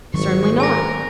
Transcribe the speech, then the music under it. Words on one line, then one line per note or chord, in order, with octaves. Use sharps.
"Certainly not."
G#1 D#3 F#3 G3 C#6
A#4 G#5 A#6